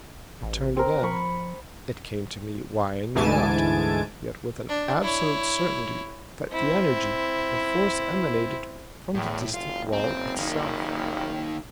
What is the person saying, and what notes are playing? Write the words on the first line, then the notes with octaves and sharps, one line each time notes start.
I turned again--it came to me, why I knew not, yet with an absolute certainty, that the energy, the force emanated from the distant wall itself.
A1
C4 A#4
F3 B5 C#6
D2 G#2 E3 G#5 A5 D7
D4
E4 C#5
C4 E4
E2 A2
F#1 F4
C4
D#3 A#3